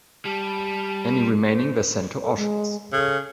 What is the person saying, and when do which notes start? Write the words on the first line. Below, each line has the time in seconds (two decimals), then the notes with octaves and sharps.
Any remaining were sent to Auschwitz.
0.25 G3 A5
1.51 C5
2.23 A4
2.37 G#3
2.93 C#3 A4